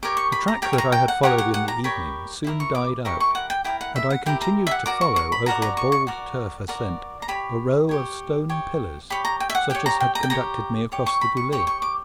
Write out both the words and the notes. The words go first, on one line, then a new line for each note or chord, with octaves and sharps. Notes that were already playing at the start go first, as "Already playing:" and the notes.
The track that I had followed in the evening soon died out, and I continued to follow over a bald turf ascent a row of stone pillars, such as had conducted me across the Goulet.
G4 A#4 C#5 D6
C#6
B5
A#5
G4 A#4 C#5 G5
G5
A#5
G5
F#5
G4 A#4 C#5 F#5
F#5
F#5
A#5
G4 A#4 C#5 B5
E4 G4 A#4
C#6
D6
E4 G4 A#4 C#6
C#6
F#5
G5
E4 G4 A#4 G5
F#5
E5
F#5
E4 G4 A#4 G5
A#5
E5
F#5
F#4 A#4 D5 D6
C#6
C#6
B5
F#4 A#4 D5 A#5
A#5
C#6
C#6
F#4 A#4 D5
F#4 A#4 D5
A#5
G4 C#5 B5
G4 C#5
G4 C#5
G4 C#5 B5
A#5
G5
E5
F#5
G4 C#5 G5
A#5
G5
A#5
G5
G4 C#5 A#5
G4 C#5
C#6
B5
C#6
G4 C#5 C#6
C#6
D6